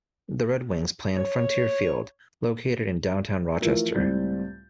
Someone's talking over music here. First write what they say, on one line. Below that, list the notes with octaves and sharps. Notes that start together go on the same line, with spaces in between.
The Red Wings play in Frontier Field, located in downtown Rochester.
C#5
E3 F3 A3 F4 A4 A#4
C#2 A2 G3 C4 G6 A6